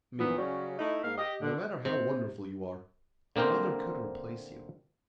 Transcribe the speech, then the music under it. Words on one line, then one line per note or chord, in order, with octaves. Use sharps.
ME: No matter how wonderful you are, another could replace you.
A#2 E3 F3 B3
C#3 F#3 G3 C#4
A3 D#4 E4
G#2 A#3 F5
G4 D#5
D3
C3
D3 A#3 C4 A#4 C5